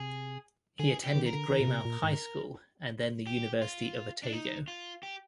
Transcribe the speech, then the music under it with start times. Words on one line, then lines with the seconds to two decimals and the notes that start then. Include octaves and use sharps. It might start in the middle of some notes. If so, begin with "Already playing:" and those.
He attended Greymouth High School and then the University of Otago.
Already playing: C3 G#4
0.79 D3 G#4
1.04 G4
1.15 D#3
1.26 A#4
1.33 D3
1.50 D#3
1.60 A#2
1.68 C3
1.85 A#2
2.03 G#2
3.27 G4
3.62 F4
4.23 D4
4.32 D#4
4.68 F4
5.03 G4